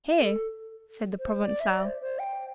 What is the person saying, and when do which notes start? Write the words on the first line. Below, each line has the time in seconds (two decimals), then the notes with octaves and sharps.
"Here," said the Provencal.
0.20 A4
1.19 C5
1.44 D5
1.60 E5
1.69 D5
1.85 C5
2.01 C5
2.19 G5